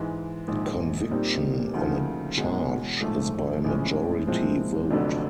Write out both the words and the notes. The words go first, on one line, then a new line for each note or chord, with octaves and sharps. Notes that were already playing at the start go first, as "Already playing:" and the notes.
Conviction on a charge is by majority vote.
Already playing: G#2 E3 G#3
A#1 G#2 D#3
A#2 G3 C4 D#4 G4
D2 C#3 F3 A#3 D#4
E1 E2 B2 G#3
A#1 G#2 F3 A3
A#1 A2 E3 G#3 C#4
A#2 F3 G#3 C4 E4
F1 F2 D3 F#3 A3